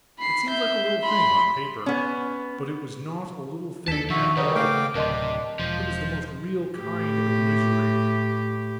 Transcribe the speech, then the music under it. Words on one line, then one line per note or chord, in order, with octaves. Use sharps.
It seems like a little thing, on paper, but it was not a little thing at all; it was the most real kind of misery.
B5 C7
E5 G6
B5 C6
B3 C#4
D#2 D4 A4 A5 B6 E7
D#3 F3 F#4 E5
C#3 G3 D#4 F#4 B4 C#5
A3 F5 G5 D6
D1 C3 D4 A#4 D#5 C6
E1 F3 C5
A2 G4